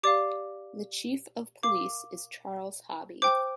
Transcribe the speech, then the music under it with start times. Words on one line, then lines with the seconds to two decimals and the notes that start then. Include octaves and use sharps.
The Chief of Police is Charles Hobby.
0.03 G4 D5 F5 D6
1.63 A#4 F5 D6
3.22 C5 G5 D6